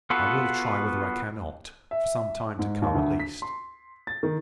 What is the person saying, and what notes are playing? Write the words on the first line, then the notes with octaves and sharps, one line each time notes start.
I will try whether I cannot; for some time to come, at least.
B3 F4 F#4 A4 B4
E5
G#2
D#2
D2
B6
C6
A6
D#3